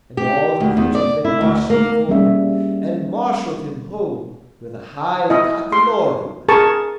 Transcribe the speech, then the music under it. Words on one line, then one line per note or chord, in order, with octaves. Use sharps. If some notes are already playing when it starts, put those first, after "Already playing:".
And all the creatures they marched before him, And marshalled him home with a high cockolorum.
G4
D2
E2
D5
E4
D2
A#3
G3 A#3 C#4 G#4 E5
E4 D#5
C6
G#4 A#4 A5 C#6